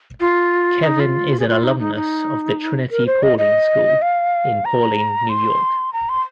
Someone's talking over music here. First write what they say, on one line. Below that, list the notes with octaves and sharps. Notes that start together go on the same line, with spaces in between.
Kevin is an alumnus of the Trinity-Pawling School in Pawling, New York.
F4
D#4
F4
G#4
F4
D#4
D#4
D#4
A#4
C5
D#5
D#5
F5
A#5
C6
A#5
C6